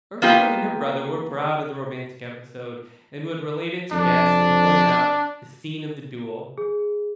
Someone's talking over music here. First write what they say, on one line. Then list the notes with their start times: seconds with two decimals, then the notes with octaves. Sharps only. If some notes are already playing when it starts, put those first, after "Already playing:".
Ursula and her brother were proud of the romantic episode, and would relate it to guests and point out the scene of the duel.
0.22 A#3 B3 F4 G4
3.92 F2 D4
6.58 G#4